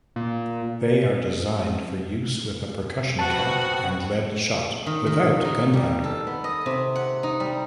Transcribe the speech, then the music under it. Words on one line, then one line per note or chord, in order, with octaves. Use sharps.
They are designed for use with a percussion cap and lead shot, without gunpowder.
A#2
B3 C4 F#4 A5
D#3
D#3
D#4
G3
A4
B3
D#5
C3
F#5
D#4
G3